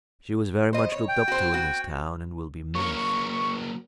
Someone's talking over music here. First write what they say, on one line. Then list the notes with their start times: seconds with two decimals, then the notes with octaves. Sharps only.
"She was very much looked up to in this town, and will be missed."
0.73 C5 D#5
0.92 C#5
1.08 G5
1.28 F#4 C5
1.52 C4 F#4
2.75 F#3 A#3 C#6